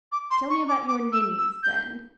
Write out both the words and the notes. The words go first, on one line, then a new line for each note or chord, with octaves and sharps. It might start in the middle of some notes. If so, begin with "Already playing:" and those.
"Tell me about your ninnies, then."
D6
C6
C#6
D6
D6
E6
E6
G6